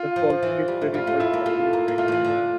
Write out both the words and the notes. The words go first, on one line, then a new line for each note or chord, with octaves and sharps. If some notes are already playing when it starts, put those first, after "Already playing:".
The following is the results from the event.
Already playing: F4
F3
E3
G3
A3
G3 F4
A3
A3 E4
A#3
A3 F4
A#3
A#3
A3 F4
D3
E3
D3